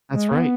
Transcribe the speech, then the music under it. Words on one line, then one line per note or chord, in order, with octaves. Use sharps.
That's right.
G#3
B3